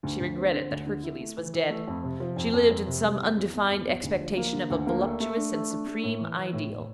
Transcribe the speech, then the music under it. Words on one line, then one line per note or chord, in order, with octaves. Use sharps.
She regretted that Hercules was dead. She lived in some undefined expectation of a voluptuous and supreme ideal.
D2
D2
C4
D3
D2
D3
E4
A3
E3
E3
A3
F2
C3
F3
F2
F2
F2
C3
G3
E2
E2
E2
E2
E2
D2
F3
A#3
D3
D2
A#3
A3
A3
D4
A3
D4
A3
A2
E3
E3
A2
A2